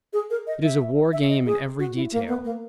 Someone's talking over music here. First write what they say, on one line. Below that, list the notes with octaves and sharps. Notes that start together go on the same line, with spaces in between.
It is a war game in every detail.
G#4
A#4
D#5
E5
E5
D#5
G#4
F#4
E4
A#3
B3
A#3